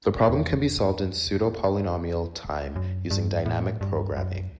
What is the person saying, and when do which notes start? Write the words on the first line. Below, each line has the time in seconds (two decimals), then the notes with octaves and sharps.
The problem can be solved in pseudo-polynomial time using dynamic programming.
0.29 E2
2.76 F#2
3.11 G2
3.46 A2
3.81 G2
4.17 F#2